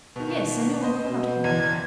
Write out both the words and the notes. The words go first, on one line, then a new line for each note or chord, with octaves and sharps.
'Yes, I know all about him.
B2 D#3
B4 C5 D#5
B2
F#1 E2 G#6 D#7